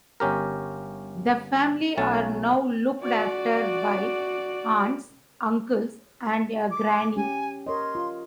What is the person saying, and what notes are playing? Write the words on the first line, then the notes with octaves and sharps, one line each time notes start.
The family are now looked after by aunts, uncles and a granny.
G1 C#4 G4 A#4
B1 A3 C#4 A5
F#4 D5
D6
C#4 G4 G#5
A#4 C#5 D#5 C6
F4